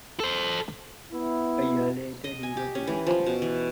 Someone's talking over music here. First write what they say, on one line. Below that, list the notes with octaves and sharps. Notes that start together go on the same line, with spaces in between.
A year later, he was released.
A4 C5
B3 E4
D#5
G#5
G4
C#4
E3
F3
B2
E3